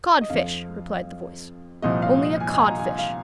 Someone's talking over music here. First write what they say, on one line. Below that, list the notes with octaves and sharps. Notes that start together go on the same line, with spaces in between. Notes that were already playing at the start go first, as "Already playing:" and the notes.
"A codfish," replied the voice, "only a codfish."
D#5
F2 F3 F5
C2 A#2 F3 D#5
F5
D#5
G#5
G#5
A#5
G#5
F5